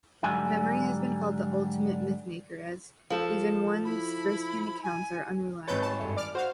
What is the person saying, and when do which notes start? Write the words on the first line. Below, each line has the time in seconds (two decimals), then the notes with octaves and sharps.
Memory has been called the ultimate 'mythmaker'... as even one's firsthand accounts are unreliable.
0.23 G#2 D3 F#3 G3 G#5
3.10 F3 A4
3.85 E4 B5
4.83 G#5
5.68 G#1 B4 C#5 G6 A6
5.82 A5
5.99 G2 A3
6.16 D5 D6 F6
6.35 F#4 C5 F5